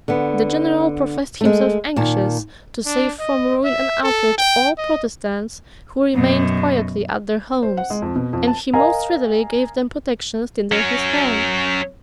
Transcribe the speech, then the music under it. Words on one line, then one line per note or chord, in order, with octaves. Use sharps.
The general professed himself anxious to save from ruin and outrage all Protestants who remained quietly at their homes; and he most readily gave them protections tinder his hand.
D3 B3
G#3 A3
A#2 D#3 A5
D4
D#5
E5
A4
G5
D#5
F#2 B2
C5
F#5
G#3
F2
B2
F2
A5
A#4 D#5 F5 G#5 A#5
F#3 C#4